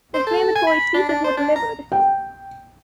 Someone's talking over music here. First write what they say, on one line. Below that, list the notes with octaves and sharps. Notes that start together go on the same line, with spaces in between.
Inflammatory speeches were delivered.
C5
A4
G#5
B5
D4
D4
C5
D4
A#5
G5